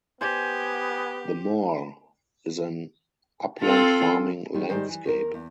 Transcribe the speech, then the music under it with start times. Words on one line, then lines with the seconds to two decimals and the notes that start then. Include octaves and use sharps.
The moor is an upland farming landscape.
0.21 B3 G4 C5 D5 G#5
3.60 C4 F4 A4
4.54 D#3 G3 G#3
4.69 G#2 D#3 G3 G#3 C5 D5
4.89 E3
5.05 E2 A#4
5.34 E2